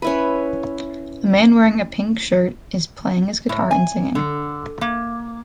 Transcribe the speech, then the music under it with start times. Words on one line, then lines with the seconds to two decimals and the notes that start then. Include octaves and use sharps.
A man wearing a pink shirt is playing his guitar and singing.
0.02 C#4 E4 B4
3.49 A2
3.71 G#5
4.15 D3
4.81 A#3